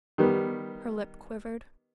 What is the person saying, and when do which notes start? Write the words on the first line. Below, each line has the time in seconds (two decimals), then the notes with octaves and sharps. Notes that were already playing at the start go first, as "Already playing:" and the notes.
Her lip quivered.
0.18 D#3 G3 B3